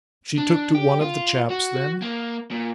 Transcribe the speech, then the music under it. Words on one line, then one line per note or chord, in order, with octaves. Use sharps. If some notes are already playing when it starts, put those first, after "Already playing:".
'She took to one of the chaps then?'
D4
G4
F4
F#4
A#3
A#2